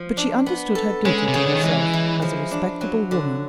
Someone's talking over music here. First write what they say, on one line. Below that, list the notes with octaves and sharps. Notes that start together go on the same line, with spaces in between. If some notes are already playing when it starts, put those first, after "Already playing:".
But she understood her duty to herself as a respectable woman.
Already playing: F3
D4
B3
A4
G#3 C#4
C3
C#3 G#4
D3
D#3
E3 G#3
E4
F3
D4
F#3
D3